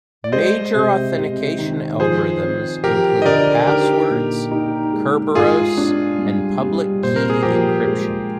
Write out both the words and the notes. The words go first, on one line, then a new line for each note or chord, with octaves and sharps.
Major authentication algorithms include passwords, Kerberos, and public key encryption.
D5
G#3 C5 D#5
C3
C3
D#3
F3 G#4 C5
C4
F3 G4 A#4
D#5
D3 A#4 D5
D#4 G4 A#4
A#2
D#4
G#3
G#2 F4 G#4
D4
G3
G3
A#2 C5
A#4
G#4
F3 G4 A#4
G#3